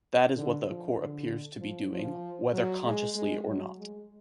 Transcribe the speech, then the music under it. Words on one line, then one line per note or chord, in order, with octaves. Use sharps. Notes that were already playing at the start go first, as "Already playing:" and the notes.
That is what the Court appears to be doing, whether consciously or not.
D3
F3
D3
F3
F3
F#3
G#3
G#3
F#3
G#3